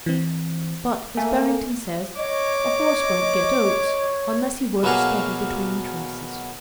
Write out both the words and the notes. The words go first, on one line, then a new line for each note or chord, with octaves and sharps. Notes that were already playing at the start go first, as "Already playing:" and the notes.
But, as Barrington says, a horse won't get oats unless he works steady between the traces.
E3 C4
A3 A#3 G#5
C#5 D#5 D6
B2 F#3 A#3 F#4 G#4 F5